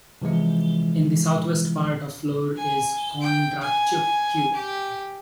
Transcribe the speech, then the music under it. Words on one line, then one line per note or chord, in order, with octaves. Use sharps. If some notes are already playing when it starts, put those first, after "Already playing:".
In the southwest part of the floor is Kondratyuk Q.
C3 E3 F3 G#3 E4
G#5
G5
G#5
G4